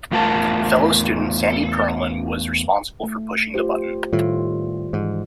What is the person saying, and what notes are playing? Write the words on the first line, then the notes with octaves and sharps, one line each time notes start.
Fellow student Sandy Pearlman was responsible for pushing the button.
E2 A3 F4 A#4 A5
A3
F4 G4 C5
A2 D#3 G3 F4
G#2 E3